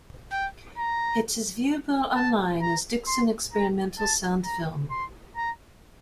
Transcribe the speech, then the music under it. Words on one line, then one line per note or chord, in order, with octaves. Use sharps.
It is viewable online as "Dickson Experimental Sound Film".
G5
A#5
A5
A#5
C6
A#5
A5
A#5
C6
A#5